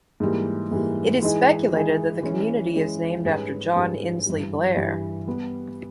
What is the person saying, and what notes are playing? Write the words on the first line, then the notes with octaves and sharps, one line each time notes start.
It is speculated that the community is named after John Insley Blair.
G#2 E3 G3 A#3
G#2 E3 G3 A#3
E3 G#3 D#4 G#4
E3 G#3 D#4 G#4
E3 G#3 C#4
E3 G#3 C#4
G#2 G3 C#4 G#4 B4
G#2 G3 C#4 G#4 B4
G2 E3 G3
G2 E3 G3
G3 B3 G4